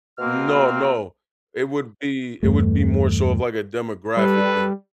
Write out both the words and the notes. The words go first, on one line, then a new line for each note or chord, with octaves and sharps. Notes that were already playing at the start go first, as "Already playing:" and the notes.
No, no. It would be It would be more so of, like, a demographic thing,
B2 A#3 C4 F6
E2 G2 A3
G3 A4 B4